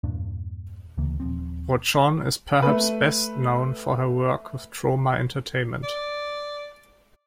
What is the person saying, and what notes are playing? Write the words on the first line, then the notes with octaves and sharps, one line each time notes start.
Rochon is perhaps best known for her work with Troma Entertainment.
E2 G2 A#2 D4
D2 C#3 E3 A#3
D#1 F3 C4
A3 B4
D5